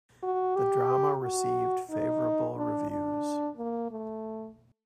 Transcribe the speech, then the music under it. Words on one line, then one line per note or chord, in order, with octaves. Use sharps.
The drama received favorable reviews.
F#4
G4
F#4
D#4
D4
D4
A#3
A3